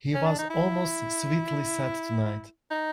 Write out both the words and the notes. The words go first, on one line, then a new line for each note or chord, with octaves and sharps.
He was almost sweetly sad tonight.
C#4
D4
D#4
E4
D#4